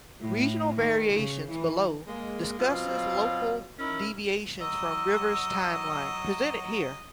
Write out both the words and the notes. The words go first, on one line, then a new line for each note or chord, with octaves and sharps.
"Regional variations" below discusses local deviations from Rivers' timeline, presented here.
A2
D#3
C#3
E3
G#3 A#3
B2 F#3 C4 F4
C#4 D#4 E4 A#4
F#3 D#5 E6